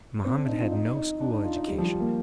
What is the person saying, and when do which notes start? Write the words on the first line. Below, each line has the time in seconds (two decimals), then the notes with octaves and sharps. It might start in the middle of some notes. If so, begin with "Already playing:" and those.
Mohammed had no school education.
0.25 C4
0.37 D4
0.49 D#4
0.60 F4
0.72 D#4
0.97 D#4
1.21 D4
1.32 D#4
1.44 F4
1.56 D#4
1.68 G3
1.78 F3
1.84 G3
2.00 A#3